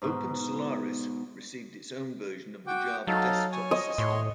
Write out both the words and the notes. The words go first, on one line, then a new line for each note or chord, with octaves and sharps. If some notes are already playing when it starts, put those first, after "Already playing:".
OpenSolaris received its own version of the Java Desktop System.
G#2 B2
F#4 G5 D6
F#3 D#4 A4 F5
C#5 G#5
D#5
A2 C#5 C6